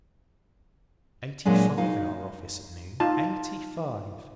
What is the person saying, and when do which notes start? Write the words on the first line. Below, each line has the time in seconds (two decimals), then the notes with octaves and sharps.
Eighty-five in our office at noon--eighty-five!
1.45 A#2 F#3 G#3 D4
1.78 D#4 F#4 F5
3.00 D#4 F4 A5